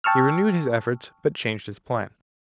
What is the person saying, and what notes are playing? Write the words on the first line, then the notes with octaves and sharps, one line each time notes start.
He renewed his efforts, but changed his plan.
G5 A5 C#6 E6 F6